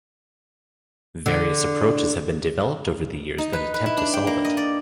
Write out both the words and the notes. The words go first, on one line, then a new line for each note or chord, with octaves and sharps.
Various approaches have been developed over the years that attempt to solve it.
D3
D#4
B4
B4
E4
D4
G5
A#3
D#5
D5